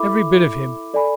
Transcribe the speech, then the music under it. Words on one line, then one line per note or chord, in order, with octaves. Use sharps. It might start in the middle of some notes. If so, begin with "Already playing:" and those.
Every bit of him.
Already playing: E4 A4 E5 B5 D6
A4 D5 G#5 B5